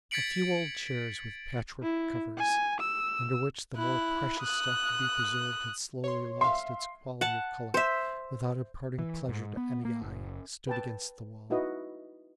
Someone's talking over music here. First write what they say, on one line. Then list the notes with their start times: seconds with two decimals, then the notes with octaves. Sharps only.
A few old chairs with patch-work covers, under which the more precious stuff to be preserved had slowly lost its quality of colour without imparting pleasure to any eye, stood against the wall.
0.11 G#6 A6 B6 C#7 D7 F#7
1.83 E4
2.38 G#5
2.80 E6
3.76 E4 F#6
4.41 D#6 F#6
6.04 C#5 C6
6.41 E5 F5 C6
7.21 F#5 A5
7.74 C5 E5
8.99 E3
9.29 G#2
9.57 B3
9.85 A#3
10.02 F#1
10.67 B4 G5 A5
11.50 D#4 E4 F#4 B4 D#5